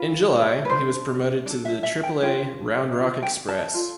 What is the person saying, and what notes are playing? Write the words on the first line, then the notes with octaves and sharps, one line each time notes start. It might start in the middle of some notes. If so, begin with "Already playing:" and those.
In July, he was promoted to the Triple-A Round Rock Express.
Already playing: F4 B4
B4
D4 A4 C5
D4 A4 D5
E5
E5
G5
D4 F4 B4 G5
D4 F4
G5
A5
F4 A4